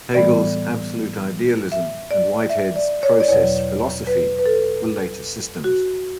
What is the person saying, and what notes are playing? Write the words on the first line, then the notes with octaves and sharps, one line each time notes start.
Hegel's Absolute idealism and Whitehead's Process philosophy were later systems.
A2 E3 G3 B3 D5
E5
D5
E5
D5
C#5
D5
E2 B2 F#3 C#5
B4
B4
A4
F#4